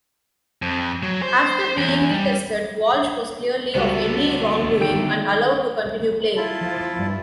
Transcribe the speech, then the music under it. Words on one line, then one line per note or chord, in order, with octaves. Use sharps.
After being retested, Walsh was cleared of any wrongdoing and allowed to continue playing.
F2
F#3
C5
E2
G3
C#2 D3 G3 A3 B3 F#4
D#3 D4 G5 D7
E4 F4 A5
F3
G2